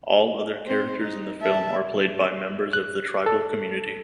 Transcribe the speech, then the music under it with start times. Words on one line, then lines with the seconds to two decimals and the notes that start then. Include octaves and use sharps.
All other characters in the film are played by members of the tribal community.
0.67 C4 C5
0.99 D#4
1.41 E5 A5
2.73 F#6
3.26 A4